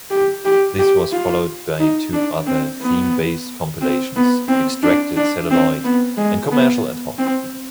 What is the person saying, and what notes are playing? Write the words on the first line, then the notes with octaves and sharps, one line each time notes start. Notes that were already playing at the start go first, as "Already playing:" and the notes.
This was followed by two other theme-based compilations, "Extracted Celluloid" and "Commercial Ad Hoc".
G4
G4
G4
F4
D#4
D4
C4
B3
C4
B3
C4
D4
D4
C4
B3
G#3
B3
C4